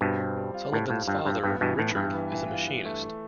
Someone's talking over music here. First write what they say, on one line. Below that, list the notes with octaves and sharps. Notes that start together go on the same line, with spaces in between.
Sulivan's father, Richard, is a machinist.
G2 B2 C4
C4
G3
F4
A2 G3
A2 F4
G2 F4
G2 F4
G2 B3
G2 B2 E3
A2 B3
G2 E3
E3
E3
F4
E3
A3
A3